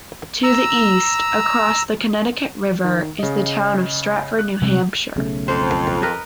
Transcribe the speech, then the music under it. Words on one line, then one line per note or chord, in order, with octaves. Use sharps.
To the east, across the Connecticut River, is the town of Stratford, New Hampshire.
A#5 E6
D#3
C#3 D#5
F#6
C3 G3 G#3
B1 C#3 A3
F2 C5
A#4 B4 D#5